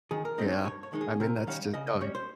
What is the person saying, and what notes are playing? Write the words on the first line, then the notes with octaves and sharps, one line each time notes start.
Yeah, I mean, that's just oh y
D#3 G#4
A#4
G#3 C4 D#4 D#5
C#5
G2 C#5
C#5
D#3 G#3 D#4
G#4
C3 A#4
D#3 G3 C#4 F5
C#3 D#5
D#5
G3 C#4 C#5
C5